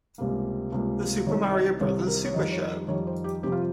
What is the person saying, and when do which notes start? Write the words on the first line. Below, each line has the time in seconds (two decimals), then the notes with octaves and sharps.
The Super Mario Brothers Super Show!
0.18 C#2 C3 G3 A#3
0.72 C#2 C3 G3 A#3
1.26 C2 C3 D#3 C#5
1.53 D#5
1.80 C2 C3 D#3 C#5
2.07 A#4
2.25 C#5
2.34 F2 D#3 G3 D#5
2.52 C#5
2.62 D#5
2.88 F2 D#3 G3 C#5
3.07 C5
3.24 G4
3.43 F2 C3 G3 C4 G4
3.52 F4